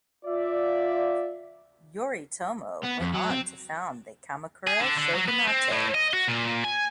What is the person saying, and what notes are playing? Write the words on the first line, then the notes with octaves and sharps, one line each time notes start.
Yoritomo went on to found the Kamakura Shogunate.
F4 D5 E5
B3
F2
F#3
C4
G#4
D3
D3
F#3
B3
C4
A2
D#5
F#4
A#2
G#5